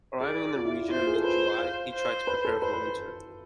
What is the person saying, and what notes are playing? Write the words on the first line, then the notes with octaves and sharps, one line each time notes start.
Arriving in the region in mid-July, he tried to prepare for winter.
G#4 D5
F4
E4
F4
E4 C5
F4
G#4
A4
B4 C5
F5
C5
B4
A4
B4 C5
B4